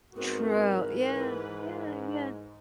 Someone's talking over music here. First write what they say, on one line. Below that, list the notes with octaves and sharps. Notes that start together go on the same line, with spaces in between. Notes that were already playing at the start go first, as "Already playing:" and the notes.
True. Yeah. Yeah, yeah.
G#2 B3 C4 F#4 A#4
E3 B4